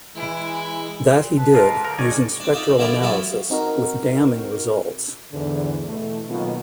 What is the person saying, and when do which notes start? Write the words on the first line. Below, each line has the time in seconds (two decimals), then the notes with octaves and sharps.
That he did, using spectral analysis, with damning results.
0.15 E3 G#3 E4
1.14 A#2
1.36 A4 B4 A5
1.54 G#2 F4 A#4
1.85 E2 D3 F3 A#4
1.99 G#1 D5 D#5 G#5 C#6
2.40 C4 D4
2.53 D#4 F4 A4 D5
2.78 D3 F3 E4 F4 A#4 D5
3.02 F3 F#3 C#4 E4 F4 A4
3.50 C4 D#4 F#4 A#4
5.32 E2 G#2 D3
5.87 B2 E3 A3
6.29 B2 D#3 F#3 A#3 C4 F4